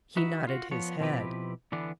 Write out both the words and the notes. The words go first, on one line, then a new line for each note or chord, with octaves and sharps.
He nodded his head.
D#4 F#4 B4 E5
F4 F#4
F3 B3 C#5
B2 F3 C4 E4 G4 B4
D3 E3 B3 D4